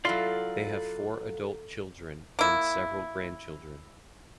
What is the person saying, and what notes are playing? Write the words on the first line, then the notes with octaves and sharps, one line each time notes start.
They have four adult children and several grandchildren.
F#3 E4 F4 A4 D5 F5 C6
A#3 E4